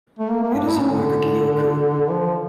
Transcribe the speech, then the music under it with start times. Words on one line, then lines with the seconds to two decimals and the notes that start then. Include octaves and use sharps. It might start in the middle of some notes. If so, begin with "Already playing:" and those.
It is in Nakagyo-ku.
0.19 A3
0.30 A#3
0.43 A#3
0.55 D4
0.67 E4
0.79 C#4
0.91 D3
1.03 D3
2.10 F3